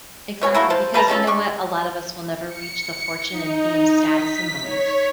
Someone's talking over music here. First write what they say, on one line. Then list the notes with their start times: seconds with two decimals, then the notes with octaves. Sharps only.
Exactly, because you know what? A lot of us will never reach the fortune and fame status in life,
0.42 B2 C#5 G#5
0.55 F#3 A3 A#3 E4
0.70 C5 F5 A5
0.94 G3 B4 A5 A#5
1.08 G#3 C#4 F4 A4
1.27 D4 C#6
2.46 C#7
3.30 D#4
4.07 B6
4.62 C#5